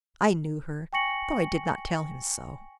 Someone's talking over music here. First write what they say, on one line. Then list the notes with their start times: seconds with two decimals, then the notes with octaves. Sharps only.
I knew her, though I did not tell him so.
0.93 G5 G#5 C#6 A#6 C#7 F#7